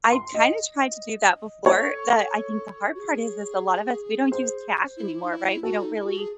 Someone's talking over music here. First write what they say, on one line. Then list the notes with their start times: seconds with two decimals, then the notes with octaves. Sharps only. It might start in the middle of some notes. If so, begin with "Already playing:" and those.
I kinda tried to do that before, but I think the hard part is is a lot of us, we don't use cash anymore, right? We don't really
0.12 C6
0.34 D#5
1.66 A4 C#5
2.95 F#4
2.99 G#4
4.32 C5
4.97 E4
5.23 D#4
5.30 E4
5.63 F#4 A4
5.83 D#4
5.94 E4
6.06 F#4
6.18 G#4